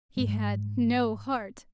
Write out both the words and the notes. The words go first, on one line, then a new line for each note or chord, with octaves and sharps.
He had no heart.
G#2 G#3